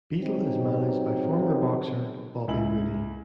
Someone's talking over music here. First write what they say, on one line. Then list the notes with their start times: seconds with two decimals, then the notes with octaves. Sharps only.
Beetle is managed by former boxer Bobby Rooney.
0.21 F#3 C4 D#4 G4 G#4
2.48 C#2 E4 G#5 F#7